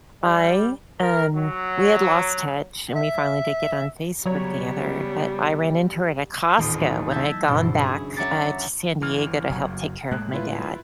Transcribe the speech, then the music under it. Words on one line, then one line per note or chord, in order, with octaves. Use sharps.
I, um we had lost touch, and we finally did get on Facebook together, but I ran into her at a Costco, when I had gone back, uh, to San Diego to help take care of my dad.
G3
A#4
F#3
E5
C#3 F#3 G3 B3 C#5 A#5
D#1 A1 D#2 C4 F4 D#6
F#3 A3 D#4
A5 E6 G6 G#6 A#6 B6
F#1 G2 B2 E4 C5
C#4 E4 G#4
C#5 E5 F#5 A#5 D6 A6
G1 E3 F6
F#1 F#3
A2 G#3 A#3 F#6
E4 F4 B4